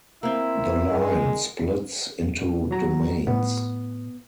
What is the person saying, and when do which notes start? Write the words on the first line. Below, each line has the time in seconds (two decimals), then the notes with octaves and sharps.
The line splits into domains.
0.23 A#3 C4 E4
0.91 G#3
2.71 F#3 A#5
3.27 A2 B3